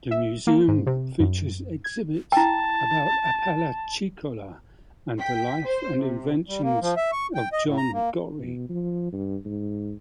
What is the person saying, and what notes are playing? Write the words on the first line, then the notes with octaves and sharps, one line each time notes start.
The museum features exhibits about Apalachicola and the life and inventions of John Gorrie.
E5
A#3
G#2
C3
F#2
G#6
E4 G5 A5
G5 B6
C5
C3
G3
A#3
F3
E5
C#6
G5
D#5
A2
A#5
A#3
B2
F3
G2
G#2